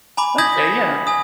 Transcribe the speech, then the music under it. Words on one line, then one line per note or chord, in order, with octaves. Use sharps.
Okay. Yeah.
G#5 A#5 B5 D6
D#6 G6 G#6 A#6 B6 F#7
G#5 D#6